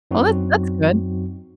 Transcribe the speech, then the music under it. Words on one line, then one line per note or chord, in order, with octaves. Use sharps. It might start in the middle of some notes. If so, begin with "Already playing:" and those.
Well, that that's good.
F#2 F#3 C4 D#4 F#4